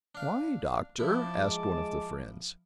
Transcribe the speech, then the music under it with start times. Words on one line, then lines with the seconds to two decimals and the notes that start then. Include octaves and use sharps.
"Why, doctor?" asked one of the friends.
0.15 D4 F5
0.99 F3 E4 A5 D6
1.37 G#3